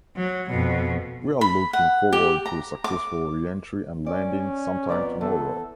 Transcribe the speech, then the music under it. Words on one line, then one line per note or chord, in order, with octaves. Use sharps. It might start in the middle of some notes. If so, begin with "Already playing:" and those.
We are looking forward to a successful re-entry and landing sometime tomorrow.
F#3
F2 B2
B5
F#5
G4
A#5
D6
C#4 D5
F2 B3 D5 A#5
E2 A4